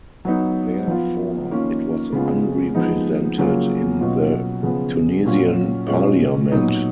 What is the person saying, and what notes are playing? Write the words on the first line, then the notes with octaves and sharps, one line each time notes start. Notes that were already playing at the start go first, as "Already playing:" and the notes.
Therefore, it was unrepresented in the Tunisian parliament.
F#3 B3 D#4
F3 B3 F4
D#3 A#3 C#4 F4
C#3 G#3 B3 F4
F3 G#3 B3 D#4
C#3 F#3 A#3 F4
B2 F#3 C#4 F4
C#3 F3 B3 F4
A#2 F#3 C#4 F4
B2 G#3 C#4 F4
A#2 F#3 B3 D#4